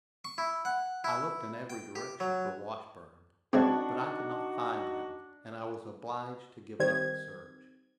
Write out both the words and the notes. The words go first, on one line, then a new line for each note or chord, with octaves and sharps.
I looked in every direction for Washburn, but I could not find him, and I was obliged to give up the search.
C#6
E4
F#5
E4
G5
G4
F#3
C#3 G#3 C4 D4 D#4 F#4 A5 C#6
D#3 G3 C4 G#6